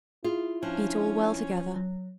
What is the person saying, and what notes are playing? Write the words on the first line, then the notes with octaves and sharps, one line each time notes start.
Beat all well together.
E4 F4 G#4
F3 C#4 D4
F#3